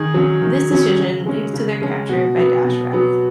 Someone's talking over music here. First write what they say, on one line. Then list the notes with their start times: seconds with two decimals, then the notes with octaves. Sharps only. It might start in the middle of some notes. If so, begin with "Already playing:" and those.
This decision leads to their capture by Dashrath.
Already playing: D#3 G#4
0.14 F#3 C#4
0.42 D#3
0.71 F#3 C#4
0.99 C#3
1.26 G#3 C#4
1.54 C#3
1.82 G#3 C#4
2.09 B2 F#4
2.37 F#3 B3
2.64 B2
2.93 F#3 B3